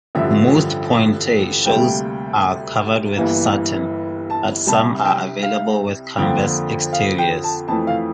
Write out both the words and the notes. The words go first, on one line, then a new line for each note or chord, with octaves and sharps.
Most pointe shoes are covered with satin, but some are available with canvas exteriors.
A1 G2 D3 F3 E5
D2 C3 G3 A#3 G5
G1 G2 E3 A#3
A5
C2 C3 G3 A5
G5
F5
F2 D3 F3 A#3 G5
F5
G5
A5
F2 E3 A3 A5
F5